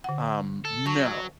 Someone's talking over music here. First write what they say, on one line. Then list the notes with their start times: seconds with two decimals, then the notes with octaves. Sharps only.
Um, no.
0.04 D3 F#5
0.65 A4
0.86 F#3 A5 C#6